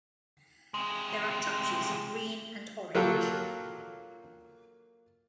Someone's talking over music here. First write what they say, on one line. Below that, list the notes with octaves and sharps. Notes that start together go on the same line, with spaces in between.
There are touches of green and orange.
C3 G#3
F#3 A#3 F4 G4 A4 A#4